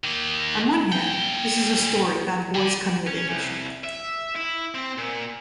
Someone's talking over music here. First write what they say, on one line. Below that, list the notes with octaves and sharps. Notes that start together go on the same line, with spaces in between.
On one hand, this is a story about a boy's coming of age.
D#3 A#3
A#2 G5
D3 D5
C#4
C2
E5
E4
C4
A#2